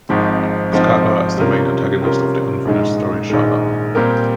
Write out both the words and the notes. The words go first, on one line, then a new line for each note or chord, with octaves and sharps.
Skagra is the main antagonist of the unfinished story "Shada".
G#1 G#2 F3 C4
G#1 G#2 F3 C4
C3 G3 C#4 F4 A#4
C3 G3 C#4 F4 A#4
A#1 G#2 D#3 G#3
A#1 G#2 D#3 G#3
A#2 G3 C4 G4 A#4